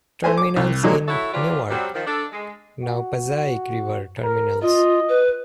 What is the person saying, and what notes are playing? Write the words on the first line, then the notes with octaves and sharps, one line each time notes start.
Terminals in Newark, now Passaic River Terminals.
A3 C5 G#5
D6
C2
A#2 D3 F#3 G#3
E4 F#4 A4 C#5 E5
F3 F#3 F4 G4 B4 D5
F#3 G3 C4
D#3 F3
D4 A4
G#3
F#4
A#4
F4 D#5
B4